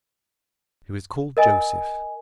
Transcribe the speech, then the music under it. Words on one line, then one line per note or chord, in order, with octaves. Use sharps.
He was called Joseph.
A#4 D#5 G#5